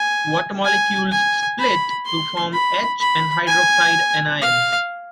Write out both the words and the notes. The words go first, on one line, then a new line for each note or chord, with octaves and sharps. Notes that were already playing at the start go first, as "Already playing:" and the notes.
Water molecules split to form H and hydroxide anions.
Already playing: G#5
G#5
G#5
B5
C6
B5
B5
G#5
F5